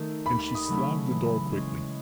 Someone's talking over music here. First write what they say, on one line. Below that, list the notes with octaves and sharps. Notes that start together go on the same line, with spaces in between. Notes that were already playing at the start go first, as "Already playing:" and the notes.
And she slammed the door quickly.
Already playing: D#3 A3
D#2 B5
D#6
C#3 F#3 A3 C#4
E3
G#3 C#4